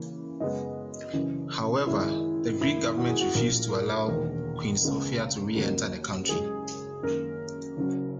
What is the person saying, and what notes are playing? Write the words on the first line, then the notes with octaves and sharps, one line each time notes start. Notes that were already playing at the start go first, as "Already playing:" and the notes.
However, the Greek government refused to allow Queen Sophia to re-enter the country.
Already playing: C#3 E3 A#3
F#2 C#3 G#3 B3 D#5
F#1 F#2 E3
F#2 D#3 G#3 E4
F#2 D#3 A#3 E4
F#4
G#4
F#4
A#1 A#2 F#3 A#4
A#4
E1 E2 D#3 A#3 A#4
C#2 C#3 G#3 B3
D#2 C#3 F#3 A#3
F#1 F#2 C#3 G#3 G#4
F#2 D#3 A#3 A#4
F#1 F#2 C#3 F#3